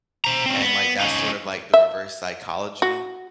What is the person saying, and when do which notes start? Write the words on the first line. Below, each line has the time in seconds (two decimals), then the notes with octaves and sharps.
And, like, that's sort of, like, the reverse psychology
0.24 C5 A#5
0.46 C4 C#4
0.61 B3
1.00 C#4 D#4
1.74 E5
2.82 F#4